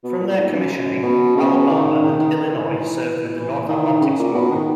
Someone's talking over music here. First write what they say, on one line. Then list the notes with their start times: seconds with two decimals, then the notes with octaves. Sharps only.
From their commissioning, "Alabama" and "Illinois" served with the North Atlantic Squadron.
0.04 B2
0.20 A#2
0.38 G#2
0.53 F#2
0.71 F#2
1.03 B2
1.36 C#3
1.69 D#3
2.03 D#3
2.19 D#3
2.53 E3
2.70 E3
3.35 E3
3.68 D#3
4.01 C#3
4.19 A#2
4.34 B2
4.51 D#3